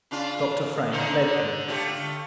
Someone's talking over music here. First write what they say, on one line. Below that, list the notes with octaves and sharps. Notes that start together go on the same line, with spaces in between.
Dr. Frank led them.
C#3 D4 F4
D3 D#4 C5
A3 F4 G4